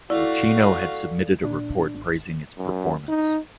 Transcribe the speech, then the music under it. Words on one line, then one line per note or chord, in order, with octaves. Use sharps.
Iachino had submitted a report praising its performance.
A3 E4 F#4 D5 F5
A#2 D4
G#1
F#2
D#4